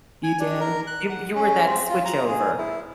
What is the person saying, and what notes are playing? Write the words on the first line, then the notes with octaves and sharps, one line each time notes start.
You did? You w You were that switchover,
G#5
D4
A#4
F#6
F#5
C#4
C4
F4
A#5
G#4
E4